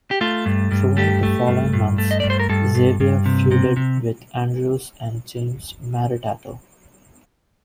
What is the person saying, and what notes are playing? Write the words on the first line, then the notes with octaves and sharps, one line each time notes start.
Throughout the following months, Xavier feuded with Andrews and James Maritato.
G4
A3 F4
G2
G2
A3 G4
A3
G2
G2
A3
D#5
G2 D5
C5
A#4
G2 A4
G2
G2
C3
C3
C3